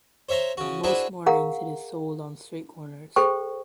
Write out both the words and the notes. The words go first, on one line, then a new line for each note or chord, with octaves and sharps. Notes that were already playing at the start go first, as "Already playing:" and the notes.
On most mornings it is sold on street corners.
C5 C#5 E5 A#5 C6
C#3 F#4
D4 E4 F#4 G#4 B4 C5
G#4 A#4 F5 F#5 A#5
G#4 A4 C5 G5 C#6